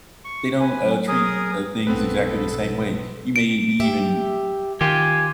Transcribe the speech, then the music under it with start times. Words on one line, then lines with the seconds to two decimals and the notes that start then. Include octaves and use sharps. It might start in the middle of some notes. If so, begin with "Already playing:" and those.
they don't, uh, treat, uh, things exactly the same way. You may be even
0.25 C#6
0.60 B4 G#5
0.85 F#3
1.08 F#3 G#4 A#4 D#6
1.87 B1 F2 A#2 B3 C4 A4 B4
3.36 D7
3.80 G4 E5
4.81 D#3 F4 G4 G#5